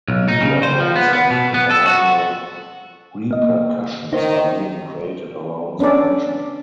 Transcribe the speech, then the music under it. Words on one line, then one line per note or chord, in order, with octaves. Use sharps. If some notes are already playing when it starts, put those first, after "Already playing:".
Media noise and international repercussions are being created around the commission.
B1
D#4
C#3
C5
F3
B3
B3
B2
B3
A4
F#4
A#3 D#5
D#3 D#4 C5
B3 C#4 D4 A4 D5